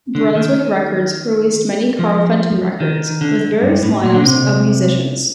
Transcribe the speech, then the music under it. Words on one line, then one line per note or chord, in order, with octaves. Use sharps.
Brunswick Records released many "Carl Fenton" records, with various line-ups of musicians.
D3
D#3
F3
D#3
D3
G2
A2
A#2
D3
C3